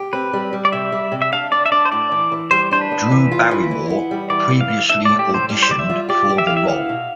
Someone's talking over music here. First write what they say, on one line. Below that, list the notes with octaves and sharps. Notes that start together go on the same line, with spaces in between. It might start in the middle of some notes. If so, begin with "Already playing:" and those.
Drew Barrymore previously auditioned for the role.
Already playing: G4
C4 B4
G3
G3
D5
C3 E5
G3
C3
E5
D4 F5
D4 D5
E5
D4 D5
C5
A2 D5
E3
E3
G3 C5
D4 C5
B4
B3
E3
F4
E3
E4
B3
G3
E3 D5
E3
F5
E3
D4 E5
A2 D5
G4
A2 C5
G3
C5
G3 D5
E5
F4
G4 D5
G4
E5
E4 F5
E5
B3 F5
B2